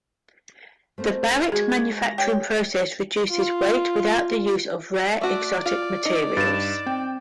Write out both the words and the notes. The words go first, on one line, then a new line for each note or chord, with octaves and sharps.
The Barrett manufacturing process reduces weight without the use of rare, exotic materials.
A3 A#3 C4 C5
G#3 F#4 G#4 G#5 G#6
A#6
G4 C#5 G5
F4
A3 F#4 D5
F4
D#4
G2 A6 E7
C4 G5